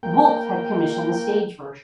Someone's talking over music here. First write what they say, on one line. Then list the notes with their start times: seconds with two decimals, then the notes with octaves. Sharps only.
Wolfe had commissioned the stage version.
0.03 A#3 G5